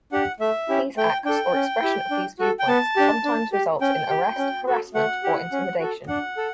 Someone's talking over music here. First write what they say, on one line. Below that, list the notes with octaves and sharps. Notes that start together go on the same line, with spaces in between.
These acts or expression of these viewpoints sometimes results in arrest, harassment, or intimidation.
D4 G4 F#5
A3 E5
C#4 E4 G4
A3 G5
D4 A4 G5
C#4
E4 G4
D4
F#4 A4
G5
B3 A5
D4 G4
D4
G4
C#4 G5
G4
C#4
F#4 A4
A3 F#5
E4 G4
C#4
F#4 A4
D4 F#5
A4